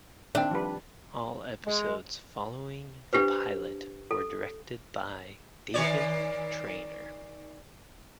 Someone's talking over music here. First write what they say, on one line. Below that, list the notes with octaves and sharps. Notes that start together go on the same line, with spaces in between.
All episodes following the pilot were directed by David Trainer.
D#3 C4 D4 E5 G5
F3 G3 B4
G#3
D4 G4 B4 C5
A4
D#3 C#5 D5